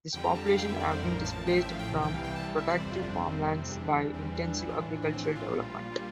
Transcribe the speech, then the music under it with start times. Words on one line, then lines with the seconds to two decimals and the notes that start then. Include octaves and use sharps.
These populations have been displaced from productive farmlands by intensive agricultural development.
0.13 F2 D3 G3 G5
0.24 A#5
0.35 A5
0.46 F5
0.57 F2 D3 G3 G5
0.69 E5
0.79 D5
0.91 C5
1.02 A1 A2 F3 A#4
1.24 A5
1.46 A1 A2 F3 G5
1.57 E5
1.69 F5
1.79 G5
1.91 C2 C3 E3 G3
2.02 G5
2.14 F5
2.24 G5
2.35 C2 C3 E3 G3 A5
2.58 E5
2.69 D5
2.79 G1 F2 C3 G3 C5
2.91 F4
3.02 D4
3.13 C4
3.24 G1 F2 C3 G3
3.69 E2 E3 G3 D4
4.13 E2 E3 G3 C4
4.35 D4
4.57 A#1 A2 E3 E4
4.69 F4
4.80 D4
4.91 D4
5.02 A#1 A2 E3 D4
5.13 C4
5.24 D4
5.35 F4
5.46 A#1 A#2 G3
5.92 A#2 G3